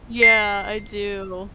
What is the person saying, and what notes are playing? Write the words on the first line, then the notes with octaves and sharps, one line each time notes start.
Yeah, I do.
C7